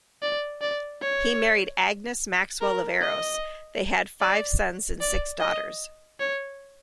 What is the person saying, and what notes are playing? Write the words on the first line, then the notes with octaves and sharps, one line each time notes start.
He married Agnes Maxwell of Aros; they had five sons and six daughters.
D5
D5
C#5
A#4
D#5
D5
D5
D#5
C#5